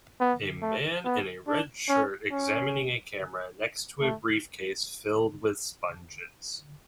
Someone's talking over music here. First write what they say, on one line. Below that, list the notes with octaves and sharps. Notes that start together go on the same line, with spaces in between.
A man in a red shirt examining a camera next to a briefcase filled with sponges.
B3
A3
B3
D4
C#4
C#4
A3